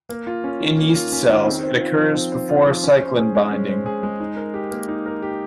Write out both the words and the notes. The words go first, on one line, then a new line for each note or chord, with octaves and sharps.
In yeast cells, it occurs before cyclin binding.
A#3
F4
C#4
D#3
A#3
F4
C#4
D#3
C4
C5
F4
F3
C4
C5
F4
F3
C#4
C5
G#4
G#3
C#4
C5
G#4
G#3
D#4
A#4
G4
A#3
D#4
A#4
G4